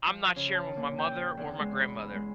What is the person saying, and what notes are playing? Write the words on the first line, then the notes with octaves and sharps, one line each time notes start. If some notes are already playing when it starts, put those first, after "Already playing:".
I'm not sharing with my mother or my grandmother.
F3
C#3
A5
A#2
G5
E2
G#3
B5
G#3